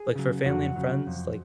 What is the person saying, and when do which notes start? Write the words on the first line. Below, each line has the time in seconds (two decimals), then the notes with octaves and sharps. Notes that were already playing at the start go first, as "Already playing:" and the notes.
like for family and friends, like,
Already playing: G#4
0.16 C#3 F#3
0.46 F2 F#4
0.76 C#3 F#3
1.07 F2